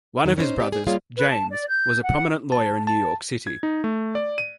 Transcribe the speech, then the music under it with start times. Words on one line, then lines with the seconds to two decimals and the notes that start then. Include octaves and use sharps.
One of his brothers, James, was a prominent lawyer in New York City.
0.25 F2 D#3
0.38 C#4 D#4 E4 C5
0.58 C4 G4 D5
0.72 G#4
0.87 G3 A#3 F4 G#4 C#5 F5
1.16 B4
1.29 A5
1.50 D5
1.69 G6
2.02 F#5
2.52 A5
2.87 A5
3.47 G#6
3.63 D#4
3.84 A3
4.15 D5
4.38 D#7